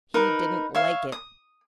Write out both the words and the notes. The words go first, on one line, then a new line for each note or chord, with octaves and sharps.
He didn't LIKE it!
D#4 A#4 B4
C#5 E5 F5
D#6